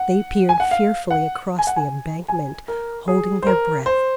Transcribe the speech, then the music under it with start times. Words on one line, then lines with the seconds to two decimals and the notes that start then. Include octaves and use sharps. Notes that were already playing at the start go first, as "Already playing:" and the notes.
They peered fearfully across the embankment, holding their breath.
Already playing: F#5
0.49 G#5
0.60 F#5
0.71 F5
1.11 F#5
1.59 G#5
1.67 F#5
1.76 G#5
2.28 G#5
2.68 A#4
3.08 G#4
3.42 C5
3.47 A#4
3.86 C5